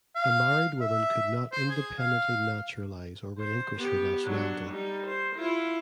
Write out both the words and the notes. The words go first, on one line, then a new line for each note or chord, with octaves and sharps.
A married woman could not independently naturalize or relinquish her nationality.
F5
E5
C5
G#4
F5
C5
B3 G4
F#3 D4
G3 D#4
C5
E4 F4